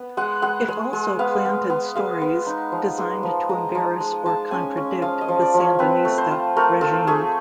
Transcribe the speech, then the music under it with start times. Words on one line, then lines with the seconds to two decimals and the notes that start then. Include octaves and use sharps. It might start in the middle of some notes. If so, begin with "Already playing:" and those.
It also planted stories designed to embarrass or contradict the Sandinista regime.
Already playing: B3
0.17 G#3 F#5
0.42 G#3 F#5
0.68 G#3
0.93 G#3
1.19 B3 F5
1.45 B3
1.70 B3
1.96 G#3 F5
2.21 B3
2.47 D#4
2.72 F3
2.98 G#3
3.23 F3
3.49 G#3 A#5
3.69 A#5
3.75 F3
4.00 G#3
4.26 G#3 A5
4.51 C#4 G#5
4.77 C#4
5.02 F3 F5
5.21 D#5
5.28 F3
5.42 D5
5.54 F3
5.61 C#5
5.79 C4 B4
6.05 A3
6.18 C5
6.31 F4
6.56 A3 A#4
6.81 F4 A4
7.07 A3 G#4